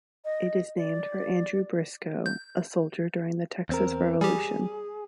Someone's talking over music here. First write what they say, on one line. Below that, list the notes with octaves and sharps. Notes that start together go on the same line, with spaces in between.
It is named for Andrew Briscoe, a soldier during the Texas Revolution.
D#5
D5
G6
E2 C4 A#4
G3 G4 G#4